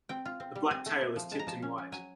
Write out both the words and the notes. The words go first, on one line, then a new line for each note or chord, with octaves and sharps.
The black tail is tipped in white.
C4 G5
F4
C4
G3
C4 G#5
A3 A5
A3
F3
G#3 A5
A#5
F3 A5
C#4
C#4
F#3 G#5